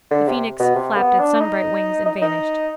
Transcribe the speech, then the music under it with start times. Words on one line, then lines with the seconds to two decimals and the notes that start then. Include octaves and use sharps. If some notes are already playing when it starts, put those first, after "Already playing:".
The Phoenix flapped its sunbright wings and vanished.
0.11 D3
0.28 C3
0.59 B2
0.75 C3
0.97 B3
1.19 D4
1.41 D#4
2.05 D#4
2.22 D#4